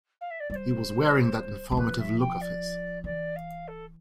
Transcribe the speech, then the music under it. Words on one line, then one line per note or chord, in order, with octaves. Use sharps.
He was wearing that informative look of his.
F5
E5
D5
G3 D5
C5
G3
F3 B4
E5
G5
D5
E3 D5
F5
A4